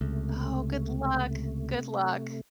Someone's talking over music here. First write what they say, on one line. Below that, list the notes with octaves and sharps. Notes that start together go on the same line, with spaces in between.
Oh, good luck! Good luck.
C#2 C3 A3